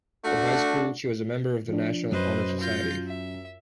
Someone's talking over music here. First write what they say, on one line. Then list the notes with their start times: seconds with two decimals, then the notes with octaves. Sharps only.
In high school, she was a member of the National Honor Society.
0.25 A3 D4 F#4
1.68 F3 D4
2.11 F#2 B4 C5 D#5
2.60 F4 G6 A#6
3.07 E5